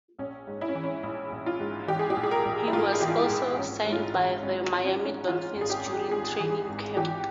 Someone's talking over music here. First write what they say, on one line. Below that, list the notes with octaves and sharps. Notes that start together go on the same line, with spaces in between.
He was also signed by the Miami Dolphins during training camp.
A#1 C#4
G#2
E4
C#4
E3
C#4
A#1 E4
A#1
F4
G#2
E3 G4
G#4
G4
A#1
G#4
A#4
A#1
E4
G#2 F4
G#4
E3 G4
F4
E4
A#1
G#1 C#4
G#2
F4
E4
E3
G#1 C#4
G#1
C#4
G#2 C#4
E3 F4
G#1
G#4
G4
G#1
G#2 G#4
E3
G#1
E3 G4